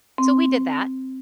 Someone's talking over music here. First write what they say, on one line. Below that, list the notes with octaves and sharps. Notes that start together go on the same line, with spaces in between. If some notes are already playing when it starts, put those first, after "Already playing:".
So, we did that
C4